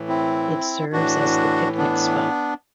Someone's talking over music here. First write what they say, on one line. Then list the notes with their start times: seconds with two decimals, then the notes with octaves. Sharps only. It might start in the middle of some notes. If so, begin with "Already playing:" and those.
It serves as the picnic spot.
Already playing: A2 E3
0.08 C4 E4
0.92 A2 E3 D4 F#4
1.78 B3 D4